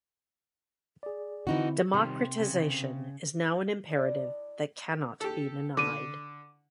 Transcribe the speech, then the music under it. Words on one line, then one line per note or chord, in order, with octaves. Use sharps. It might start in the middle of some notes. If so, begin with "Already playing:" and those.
Democratisation is now an imperative that cannot be denied.
G#4 D5
D3 E3 C4 D#4 E4 F#4
C3 D#3 G3
C#3
D4 E4 D5 D#5
G4 A4
D3 D6 D#7